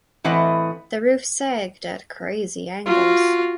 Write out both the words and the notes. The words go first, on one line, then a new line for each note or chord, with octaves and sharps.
The roof sagged at crazy angles.
A2 E3 C4 B4 D#5 F#5
F4 F#4